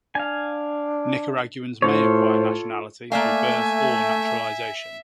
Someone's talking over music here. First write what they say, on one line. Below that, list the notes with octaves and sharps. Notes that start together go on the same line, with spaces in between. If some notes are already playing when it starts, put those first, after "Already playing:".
Nicaraguans may acquire nationality through birth or naturalization.
D4 F5 G#5
A2 F4 A4 C5 C#5
A3 A#3 D5 E5 F5 G#5